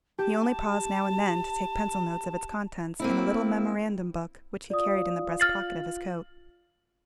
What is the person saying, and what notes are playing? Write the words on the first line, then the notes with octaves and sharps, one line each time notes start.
He only paused now and then to take pencil-notes of its contents in a little memorandum-book, which he carried in the breast-pocket of his coat.
G4 A5
A#3 C4 E4
F4 D5 D#6
F6 A6 C7 F#7